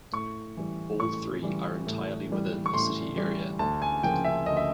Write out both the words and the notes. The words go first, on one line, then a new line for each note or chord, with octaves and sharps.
All three are entirely within the city area.
A2 C#6
E3 G3
A2 C#6
E3 G3
A2
E3 G3
C#6
A2 C6
E3 G3
D2 A5
G#5
C#3 F3 A#3 G5
E5
D2 D#5
E5